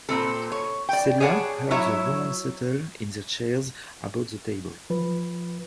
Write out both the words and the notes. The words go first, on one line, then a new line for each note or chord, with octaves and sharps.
Celia heard the women settle in their chairs about the table.
A#2 C4 A4
C#5
D5 G5
G#4 C#5 D5 E5 F#5 A5
F#3 E4 C#5 E5
F3 B4